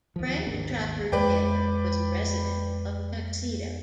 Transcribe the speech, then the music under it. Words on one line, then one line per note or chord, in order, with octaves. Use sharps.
Frank Trafford Taylor was a resident of Tuxedo.
D#2 F3
G#1 D#2 A#3 D4
F2 G#3 B4 D5 G5